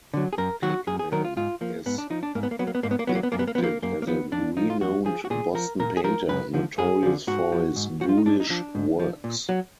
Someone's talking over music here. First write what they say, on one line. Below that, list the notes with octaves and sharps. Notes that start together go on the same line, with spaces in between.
Pickman is depicted as a renowned Boston painter notorious for his ghoulish works.
D3 F#3
G#4
F#2 A#4
D#3 F#3 F#4
F#2 G#4
G#4
D#3 F#3 A#4
F4
G#2 F4
F3 A#3
G#2 B3
D4
F3 D#4
D4
G#2 A#3
B3
A#3
F#3 B3
A#3
B3
G#2 A#3
B3
A#3
F#3 B3
A#3
B3
F#2 A#3
B3
A#3
B3
F3
A#3
F#2 A#3
A#3
F3 B3
F2 D4
F3 D#4
F4
F2 F#4
F3 G#4
F#4
A#2 G#4
F3 A#4
A#2 A#4
G#4
F3 A#4
F#2 B4
D3 F3
F#2 G#4
D3 F3
G#2 F#4
F3
G#2
F3 F#4
F4
D#4
G#2 D4
D#4
F3 D4
G#2
F3
A#2
F#3